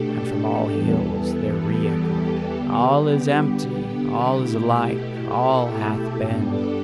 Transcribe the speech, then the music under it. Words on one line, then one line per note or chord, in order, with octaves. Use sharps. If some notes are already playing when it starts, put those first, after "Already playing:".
And from all hills there re-echoed: 'All is empty, all is alike, all hath been!'
Already playing: B2 A3 D4 G4 A4
E2 E3 G3 B3
G4
D3 G3 B3
G4
B2 A3 E4
A4
G2 G3 B3 D4 G4
A4